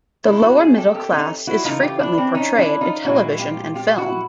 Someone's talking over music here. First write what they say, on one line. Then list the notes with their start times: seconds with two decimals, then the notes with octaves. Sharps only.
The lower-middle class is frequently portrayed in television and film.
0.24 C3 F3 A3 D4 E4
0.42 E4 F#4
0.59 F#4 G#4
0.77 G4 A4
0.94 G4 A4
1.12 C#4 D#4
1.47 E4 F#4
1.64 C#3 E3 A3 D#4 F4
1.82 F4 G4
1.99 D4 E4
2.18 C4 D4
2.35 C#4 D#4
2.58 D4 E4
2.81 D#4 F4
3.05 A#2 F3 G#3 E4 F#4
3.39 F4 G4
3.75 F4 G4
3.98 E4 F#4